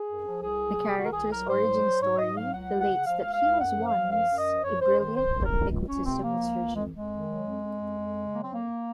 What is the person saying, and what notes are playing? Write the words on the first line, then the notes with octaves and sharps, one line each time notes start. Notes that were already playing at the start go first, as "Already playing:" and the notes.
The character's origin story relates that he was once a brilliant but egotistical surgeon.
Already playing: G#4
F#2
F3
C2 G#4
F#3
C3
D#3 F#4
A#4
C2 G#4
F#3 A#4
G#2 C5
F#3
F#3
G#2 C#5
G#2 D#5
F#3 F5
C#2 F#5
C#2
F#5
C#3
F3 F5
C#2
F5
C#2
F#2 F#5
F3
F5
F3
F#2 F5
F#2
D#5
F3
F#2 C#5
F#2 C5
D#3 C5
F#3 C5
F#2
A#4
F#2
C#2
C#2 C#4
C3 C4
F3 A#3
C#2
C#2
F2 G#3
F2 G#3
D#3
F#3
F2
F2
F2
F2
C#3
F#3 A#3
C4
F2 A#3